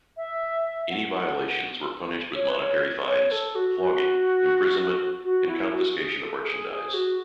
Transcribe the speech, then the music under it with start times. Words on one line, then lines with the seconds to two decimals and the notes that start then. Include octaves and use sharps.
Any violations were punished with monetary fines, flogging, imprisonment and confiscation of merchandise.
0.17 E5
0.90 F#5
2.35 C#5
2.49 B4
2.59 C#5
3.06 C#5
3.31 A4
3.55 F#4
3.79 F#4
5.25 F#4
5.48 E4
5.73 F#4
5.98 G#4
6.22 A4
6.45 G#4
6.69 G#4
6.94 F#4